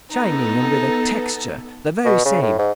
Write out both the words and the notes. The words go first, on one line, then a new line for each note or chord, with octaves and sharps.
Shining and with a texture--the very same.
B3 D#4 A4
B2
C#3
A2
G#2